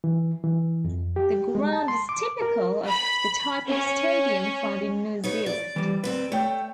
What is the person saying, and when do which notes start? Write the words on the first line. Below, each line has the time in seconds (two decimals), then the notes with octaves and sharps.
The ground is typical of the type of stadium found in New Zealand.
0.04 E3
0.44 E3
0.84 F2
1.16 G4
1.55 G#3
1.72 A5
1.88 C6
2.09 D6
2.42 A#4
2.88 B5
3.69 C#4
5.24 D#4 B4 C#5
5.46 D5
5.76 E3 G3
6.04 D2 C4 B4 D5
6.32 A3 C#5 G5